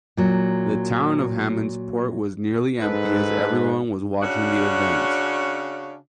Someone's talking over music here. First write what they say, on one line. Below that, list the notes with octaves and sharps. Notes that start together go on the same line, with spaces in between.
The town of Hammondsport was nearly empty as everyone was watching the event.
A#2 F#3
G#2 A4 B4
C#3 C#4 D4 F#4